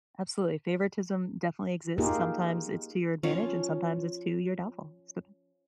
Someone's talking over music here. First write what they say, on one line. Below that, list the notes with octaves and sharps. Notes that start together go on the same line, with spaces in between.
Absolutely, favoritism definitely exists, sometimes it's to your advantage, and sometimes it's to your downfall, so.
A#3 D#4 F4 G4 G#4 A#4
F3 C#4 F4 C#5